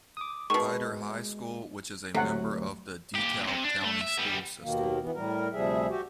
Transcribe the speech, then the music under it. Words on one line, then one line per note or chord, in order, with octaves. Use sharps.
Ider High School, which is a member of the DeKalb County School System.
D6 D#6
B2 D#3 G#3 C#6
D2 C3 F#3 A3 F#5
A#2 G4
C3
D4
A3
E5
G3 B3
D#2 B2 D#3 A#3
E3 B3
A2 G3 A#4
D2 C3 F3 G3 G#4 E5
F#4 G4